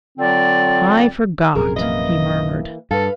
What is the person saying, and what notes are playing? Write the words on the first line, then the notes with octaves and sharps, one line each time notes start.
"I forgot," he murmured.
D3 F#3 C4 F4 D5
A#1 F#2 C3 G#4 A#4
E3 A#3 D#5
G2 A4 B4 F5